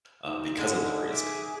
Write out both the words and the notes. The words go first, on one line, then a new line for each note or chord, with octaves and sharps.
uh, because of that reason,
D#4
D3 G#3
G#4 E5 D6